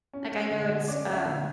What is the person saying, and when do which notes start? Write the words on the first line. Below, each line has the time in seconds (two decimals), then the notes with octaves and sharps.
Like I know it's, um
0.13 C#4
0.32 A3
0.51 D3
0.69 D3
0.88 C#4 D5
1.06 A3
1.12 E5
1.25 D3